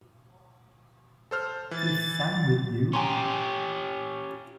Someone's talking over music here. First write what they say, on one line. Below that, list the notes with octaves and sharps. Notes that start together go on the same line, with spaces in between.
Is Sam with you?
A4 C5 F6
E3 A6
C#4 G4 G#5 A#5 C6